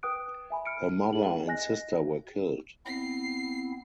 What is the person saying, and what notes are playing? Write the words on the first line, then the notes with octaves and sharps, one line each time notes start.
Her mother and sister were killed.
B4 G5 D#6 F#6 D7
E5 G#5 B5
F6 C#7 D7
D#4 G#4 F#7
D#5 G#5 F#6 A#6
B3 C4 E4 C7